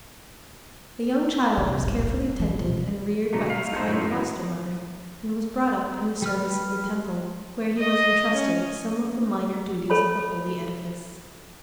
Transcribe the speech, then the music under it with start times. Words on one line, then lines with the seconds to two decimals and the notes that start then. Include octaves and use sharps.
The young child was carefully tended and reared by his kind foster-mother, and was brought up in the service of the temple, where he was intrusted with some of the minor duties of the holy edifice.
1.57 C3
1.82 F#1 G#2
1.99 A2
2.13 E4
2.40 E3
2.56 B2 E3
3.33 B2 D3 F#3 A3
3.50 A3 F5
3.72 D#4 G#4 A4 C5
3.88 F#2 A2 D#3 F#3
4.07 E3 F#3
6.22 G3 B4 F6
7.77 D#5
8.33 C#4
9.90 A4 C#5 B5